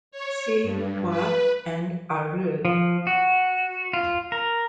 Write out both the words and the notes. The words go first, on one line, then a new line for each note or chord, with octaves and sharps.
See Duat and Aaru.
C#5
G2
B4
F3
F#4
F4
A#4